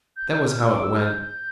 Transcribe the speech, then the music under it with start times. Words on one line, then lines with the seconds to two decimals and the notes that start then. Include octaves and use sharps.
That was how it went.
0.16 G6
0.31 G6
0.46 F6
0.60 E6
0.72 D6
0.83 E6
0.94 F6
1.06 G6